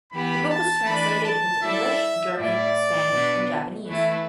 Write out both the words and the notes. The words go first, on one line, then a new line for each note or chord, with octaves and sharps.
The book was translated into English, German, Spanish and Japanese.
E3 B3 G4 B5
A5
E3 A3 D4 B4 D5 B5
A5
G3 E4 A4 D5 E5
A2 G3 E4 D5
B2 B3 D4 B4
E3 A3 E4 B4